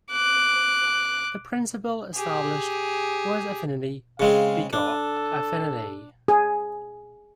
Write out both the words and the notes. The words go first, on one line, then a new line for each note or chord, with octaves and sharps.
The principle established was affinity begot affinity.
D6 F#6
G4 G#4
C#3 G#3 C4 F5
D4 A4
G#4